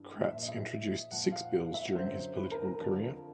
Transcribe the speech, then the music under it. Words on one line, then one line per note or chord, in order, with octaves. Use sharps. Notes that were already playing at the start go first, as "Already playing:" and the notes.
Kratz introduced six bills during his political career.
Already playing: G2 E3
A#2 F3 E5
D#5
E5
A#2 F3 F#5
F5
F#5
E5
F#2 D3 F#3 C5
B4
A#4
A#4
F2 D3 F3 A#4